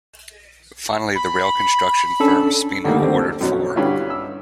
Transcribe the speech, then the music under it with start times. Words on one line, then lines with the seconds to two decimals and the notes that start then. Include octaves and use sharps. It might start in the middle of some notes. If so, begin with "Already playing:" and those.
Finally, the rail construction firm Speno ordered four.
1.15 B5
2.20 C#4 D4 A4
2.84 D3 D#3 G3 A3 A#3
3.00 D#2 D3 C4
3.19 A4
3.41 F#2 B2 F#3 C#4
3.76 G2 D3 C#4 E4 F4
4.10 E6